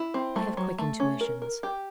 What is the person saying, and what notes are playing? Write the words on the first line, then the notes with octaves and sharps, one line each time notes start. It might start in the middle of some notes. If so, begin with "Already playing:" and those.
I have quick intuitions.
Already playing: E4
C4
A3
F#3
A3
C#4
A#4
A#4
G4